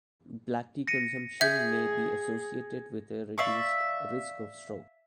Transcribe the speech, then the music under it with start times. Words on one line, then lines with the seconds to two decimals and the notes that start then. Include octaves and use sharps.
Black tea consumption may be associated with a reduced risk of stroke.
0.87 A#6 C#7 D#7
1.41 G#4 E5 G6 G#6
3.38 D5 E5 F5 C#6